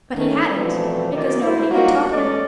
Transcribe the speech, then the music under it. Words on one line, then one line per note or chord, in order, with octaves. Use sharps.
But he hadn't, because nobody had taught him.
D#3 A3 C#4
B2 E3 F3 A3 C4 D4
F#2 D#3 D5
D2 E4 C5
F#3 G3 A#3 D#4 F4 F#4
E2 C#4 A4 D5 D#5